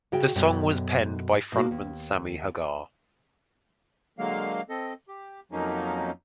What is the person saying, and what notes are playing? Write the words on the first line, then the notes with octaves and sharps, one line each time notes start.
The song was penned by frontman Sammy Hagar.
C#3 F#4 G5
F#2 B2 A4 C#5 G5
B2 A#3 F#4
D#2
D3 F#3 G#3 A#3 F5
C4 A4 D#5
G4
F2 F3 F#3 A#3 C#4 D#4